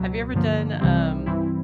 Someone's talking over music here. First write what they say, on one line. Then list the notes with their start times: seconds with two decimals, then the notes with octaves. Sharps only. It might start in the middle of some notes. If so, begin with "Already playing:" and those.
Have you ever done, um
Already playing: C#2 B2 F#3
0.34 G2 D3 F3 A#3
0.81 C2 C3 E3 G3 C4
1.26 G2 E3 G3 C4 E4